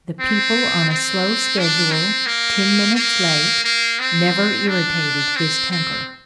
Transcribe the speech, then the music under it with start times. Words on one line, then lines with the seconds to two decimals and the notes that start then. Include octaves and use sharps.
The people on a slow schedule, ten minutes late, never irritated his temper.
0.20 C4
0.89 C4
1.58 D4
1.92 C4
2.26 A#3
2.95 A#3
3.64 A#3
3.99 C4
4.68 D4
5.36 C4
5.71 C4